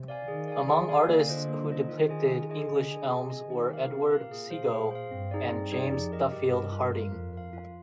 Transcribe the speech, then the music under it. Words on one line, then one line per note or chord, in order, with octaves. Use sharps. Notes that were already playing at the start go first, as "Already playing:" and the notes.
Among artists who depicted English Elms were Edward Seago and James Duffield Harding.
Already playing: C3
D5 F5 G#5
D#3 G#4
D5 F5 G#5
D#3 G#4
D5 F5 G#5
D3 A#3
F4 C5 D#5
A#3
F4 C5 D#5
D#3 F4
G#4 D#5 G#5
F4
G#4 D#5 G#5
D3 G#4
D#5 G#5
C3 G#4
D#5 G#5
D#3 G4
A#4 F5
C3 G4
A#4 F5
A#2 G#4
C5 F5
G#4
C5 F5
G2 C4
D#4 G#4 D5
G2 C4
D#4 G#4 D5
F2 G4
A#4 D#5
G2 G4
A#4 D#5
F4
A#4 F5
F2 F4
A#4 F5
F4